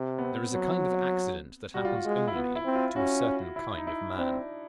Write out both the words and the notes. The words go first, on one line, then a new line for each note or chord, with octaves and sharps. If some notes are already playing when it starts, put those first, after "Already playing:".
There is a kind of accident that happens only to a certain kind of man.
Already playing: C3
B3
C4
F#3
G3 F#4
F4
F#4
G#3
E4
B3 F4
E4
C4
F4
C#4 F#4
E4
D#4
E4
C4 D4